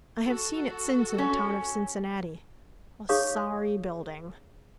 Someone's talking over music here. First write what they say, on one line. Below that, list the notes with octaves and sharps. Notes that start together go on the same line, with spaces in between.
I have seen it since in the town of Cincinnati,--a sorry building!
F#4 A4
C#4
D#4 G#4 C#5 F5 C#6 D#6